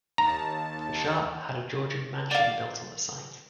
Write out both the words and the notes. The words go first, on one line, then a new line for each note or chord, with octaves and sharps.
Sharpe had a Georgian mansion built on the site.
D#2 A5 A#5
D5 F5